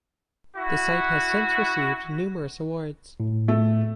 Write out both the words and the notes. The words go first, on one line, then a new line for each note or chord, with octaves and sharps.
The site has since received numerous awards.
E4 F#4
A2
A3